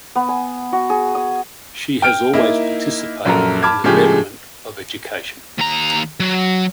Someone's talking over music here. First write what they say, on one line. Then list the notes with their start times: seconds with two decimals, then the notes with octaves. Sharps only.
She has always participated in the betterment of education.
0.15 B3
0.28 G#5
0.72 F#4
0.90 G#4
1.15 D#6
2.02 G5 F6 D7
2.33 A#3 D#4 E4
3.25 A#1 F#2 A4 A#4 A#5
3.63 A5 B5 D6 F6 G#6
3.84 A2 C#3 F3 G#3 G4 G#4
5.58 D#2 A#5
6.20 F#3